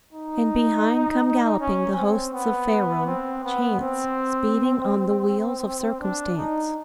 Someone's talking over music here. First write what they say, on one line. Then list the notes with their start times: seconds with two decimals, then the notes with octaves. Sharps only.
And behind come galloping the hosts of Pharaoh; chance, speeding on the wheels of circumstance.
0.13 D#4
1.60 C#4
1.96 C4
2.33 B3
3.07 C4
3.44 B3
3.80 C4
6.01 D4
6.37 D#4